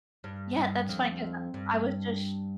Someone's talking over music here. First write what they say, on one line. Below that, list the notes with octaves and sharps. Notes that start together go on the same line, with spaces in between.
Yeah, that's funny 'cause I I was just
G2
G2
F2
G2